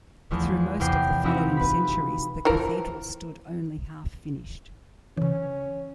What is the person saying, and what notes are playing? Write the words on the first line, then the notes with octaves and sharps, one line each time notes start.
Through most of the following centuries, the cathedral stood only half-finished.
E2 F3 A3
E2 C3 G5 C7
F3 C4 D#4 E4 F#4 G4
B4 B5
E3 F3 A#4
C#3 E3 C#4